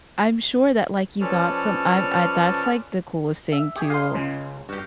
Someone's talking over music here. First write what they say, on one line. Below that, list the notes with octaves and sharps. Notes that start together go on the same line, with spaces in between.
I'm sure that, like, you got some I'm I That's, like, the coolest thing to,
F3 C#4 A4 B4 C#5 D5
E5
G4 G#4 C#6
D#5 F5 C6
C#2 C#3
G2 F#4 G4